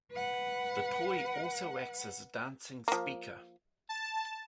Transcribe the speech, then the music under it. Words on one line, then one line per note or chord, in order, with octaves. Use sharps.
The toy also acts as a dancing speaker.
B4 F#5
F3 A#3
A5